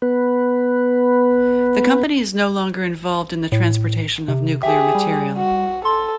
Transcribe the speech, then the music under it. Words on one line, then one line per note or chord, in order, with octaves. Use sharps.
The company is no longer involved in the transportation of nuclear material.
B3 B4
A2
C3
G4 G#4 E5
G3
F#4
A4 C6